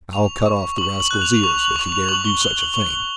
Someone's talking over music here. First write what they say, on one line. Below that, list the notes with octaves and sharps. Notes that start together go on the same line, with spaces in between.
"I'll cut off the rascal's ears if he dare do such a thing."
C#6 F7
C#6
C#6 F#7
F#7
F#6
F7
C#6 F7
F#7
C#6 F7
F7
C#6 F#7
G7
C#6 G7
F#7
C#6 F7